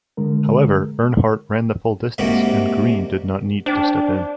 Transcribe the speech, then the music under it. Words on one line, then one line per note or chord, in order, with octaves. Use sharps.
However, Earnhardt ran the full distance, and Green did not need to step in.
D3 G#3 A#4
G#2 C3 G3 A#3 F#4
D4 C5 G5 A5